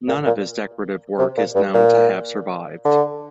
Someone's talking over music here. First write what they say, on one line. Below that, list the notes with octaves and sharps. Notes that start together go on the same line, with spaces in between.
None of his decorative work is known to have survived.
A#2
A#2
C3
A#2
G2
A#2
D3